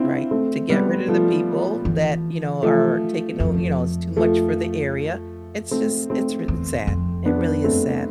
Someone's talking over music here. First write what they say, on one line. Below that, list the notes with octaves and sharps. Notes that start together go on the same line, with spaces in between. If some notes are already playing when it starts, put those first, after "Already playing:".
Right, to get rid of the people that, you know, are taking note you know, it's too much for the area. It's just it's r it's sad, it really is sad.
Already playing: C4 D4 E4 F4
A3 C4
G3 B3
F3 A3
E3
F3 A3
F2
F3 A3
A3 C4
A3 C4
E2
F2
B3 D4
A3 C4